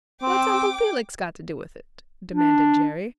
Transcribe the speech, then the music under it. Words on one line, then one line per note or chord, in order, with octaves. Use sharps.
"What's Uncle Felix got to do with it?" demanded Jerry.
C4 G5 D6
D4